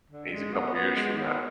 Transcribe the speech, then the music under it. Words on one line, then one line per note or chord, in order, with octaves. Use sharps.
He's a couple of years from that.
D3
G#3
B3
B3
G#3
B3